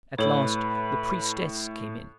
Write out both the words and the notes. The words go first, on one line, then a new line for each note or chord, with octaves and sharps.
At last the priestess came in.
A2 A4 B4 C#5